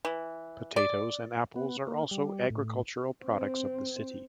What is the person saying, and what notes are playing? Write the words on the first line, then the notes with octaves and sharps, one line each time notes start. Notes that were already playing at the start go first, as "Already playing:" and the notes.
Potatoes and apples are also agricultural products of the city.
E3
D5
B3
A#3
G3
A2
C4